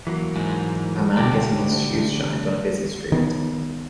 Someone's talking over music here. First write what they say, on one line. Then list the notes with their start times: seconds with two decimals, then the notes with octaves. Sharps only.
A man getting his shoes shined on a busy street.
0.07 E3 F#3 A#3
0.36 G#2
1.17 D2 G4 D5
3.12 D#3 B3